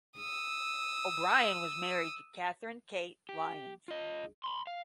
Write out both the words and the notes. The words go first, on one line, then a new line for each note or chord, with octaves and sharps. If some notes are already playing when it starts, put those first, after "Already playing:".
O'Brien was married to Catherine "Kate" Lyons.
D#6 E6
G4
F4 D#5
B5 C6
F5